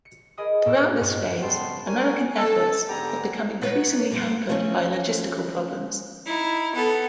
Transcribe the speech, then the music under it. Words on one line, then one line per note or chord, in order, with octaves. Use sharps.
Throughout this phase, American efforts had become increasingly hampered by logistical problems.
C#7
G#4 A#4 D#5 G#5 B5 D#6
A2 A#4 E6
G2 B3 D#4 F4
C#3 G3 B3 C4 A5 C6
C#4 D4 A#4 C#5 G#5
A4
G#2 D3 B3 G4 G#5 A#5
B3 D#4 B4 C#5 F#5
F2 G3 A#3 B3 D#4 C5
F3 A3 C4 C#4 D#4
D#4 E4
B3 A4